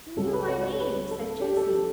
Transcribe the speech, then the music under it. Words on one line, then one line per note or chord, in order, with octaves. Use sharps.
"He knew my name," said Jessie.
C#2 C#3 F#3 A4
B4
C#5
C#5
B4
A4
G4
A4
G4